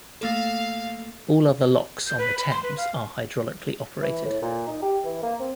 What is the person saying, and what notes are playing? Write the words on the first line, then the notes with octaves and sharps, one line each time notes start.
All other locks on the Thames are hydraulically operated.
A3 A#3 A4 F5
G6
B4
B5
C6
B4
F5
E3
A2
A#2
D#4
G4
E3
A#3
C4